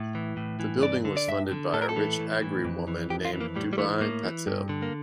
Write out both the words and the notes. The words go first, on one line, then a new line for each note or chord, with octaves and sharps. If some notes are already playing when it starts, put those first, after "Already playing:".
The building was funded by a rich Agri woman named Deubai Patil.
Already playing: A2
E3
A2
E3
G2 D5
D3
D5
G2 E5
D3
A2 A4
A#4
A4
E3
A2
E3
F2
E3
F2 G4
F4
E3
A#3
A2 G3
G3
E3 A3
A2 A#3
E3
G2
D3
A#3